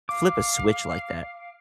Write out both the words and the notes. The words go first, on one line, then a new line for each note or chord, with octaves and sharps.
flip a switch like that.
F5 D6